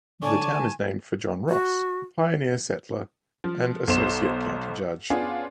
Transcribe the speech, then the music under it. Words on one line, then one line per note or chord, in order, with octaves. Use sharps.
The town is named for John Ross, a pioneer settler and associate county judge.
D3 C#5 D5 G#5 A5 C#6
F#4
F3
B1 B2 C5 E7
B3 C#4 D4 F4 G#4